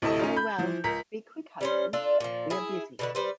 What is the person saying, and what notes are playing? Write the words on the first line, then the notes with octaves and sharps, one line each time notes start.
Very well — be quick, Hudson; we are busy.
D2 A2 C3 E4 A4 D#5
C#4 D#4 F4
B5 G6
E3 F3
C#2 A#4 B6
G3 C#4 C5
D4 F4 A4
A#2 F3
E4 G#4
B2 D3 B4
G3 B4 C5